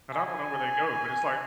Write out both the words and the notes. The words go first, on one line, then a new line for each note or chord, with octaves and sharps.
and I don't know where they go, but it's like
G#5